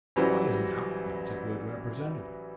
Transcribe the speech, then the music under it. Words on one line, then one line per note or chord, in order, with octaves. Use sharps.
"Why isn't Hopkins a good Representative?"
A1 E3 F#3 G3 C5